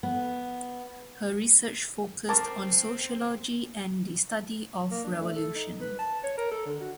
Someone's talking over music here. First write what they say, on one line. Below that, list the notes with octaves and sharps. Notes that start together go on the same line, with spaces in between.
Her research focused on sociology and the study of revolution.
B3
C4 A#4 A5 C#6 D6
A#3
D4
A3
A4
D#4
B4
A5
C#5
A#4
A4
D3
F#4